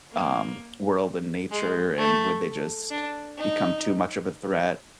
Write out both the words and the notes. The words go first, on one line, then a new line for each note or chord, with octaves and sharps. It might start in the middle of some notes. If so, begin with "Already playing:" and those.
um, world and nature, and would they just become too much of a threat?
A#3
G#3
A3
D4
D#4